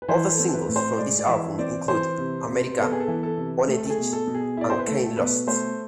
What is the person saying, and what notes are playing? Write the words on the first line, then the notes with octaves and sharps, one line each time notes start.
Other singles from this album include "Amerika", "Ohne dich" and "Keine Lust".
B4
E3 C5
B4
A4
C4
B4
A2
C5
G#3 D5
D5
E3 E5
C4 D5
E3 C5
C3
C3
B3 A4
G#4
A4
E3
A4
C3
A3 A4
A4
G#4
B2
A4
B2
G#4
E4 D5
C5
B4
A3 A4
B2 B4
A3 C5